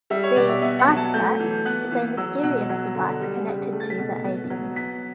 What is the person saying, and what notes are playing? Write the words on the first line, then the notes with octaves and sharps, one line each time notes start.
The "Artifact" is a mysterious device connected to the aliens.
G3 E5
C#5
B2 D5
E5
B3 E5
F#5
F#3
A5
A3 G6
E3
B3 F#6
E3
F#3 E6
B2 F#6
F#3
D3
G3
C#3
A3
A6
B6
B2
B3
F#3
B3 B6